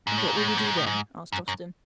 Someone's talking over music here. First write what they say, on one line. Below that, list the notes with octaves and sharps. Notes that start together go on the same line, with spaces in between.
"And what will we do then?" asked Austin.
G#2
A2
G#2
A2
G#2
A2
G#2
A2
G#2
F#2
F#2